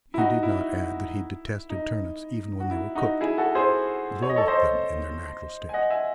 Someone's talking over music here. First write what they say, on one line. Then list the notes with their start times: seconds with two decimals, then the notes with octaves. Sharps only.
He did not add that he detested turnips even when they were cooked--loathed them in their natural state.
0.14 E4
0.18 D#4 F#4
0.43 E4
1.70 D#4
2.60 F#4
2.71 E4
2.95 D#4 F#4
3.21 E4 G#4
3.38 F#4 A4
3.55 G#4 C5
4.22 C#5
4.29 D#5
4.36 A4 C#5
4.48 C5 D#5
5.69 G#5
5.73 D#5 F#5
5.90 E5 G#5